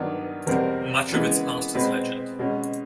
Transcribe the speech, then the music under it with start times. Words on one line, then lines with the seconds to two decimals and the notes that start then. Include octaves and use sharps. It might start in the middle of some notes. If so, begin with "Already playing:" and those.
Much of its past is legend.
Already playing: G2 D#3 F#3 B3 D4
0.46 E2 B2 G3 C4 A#4
1.10 C#3 E3 G#3 B3
1.74 B2 G#3 C4 B4
2.39 B2 G#3 C#4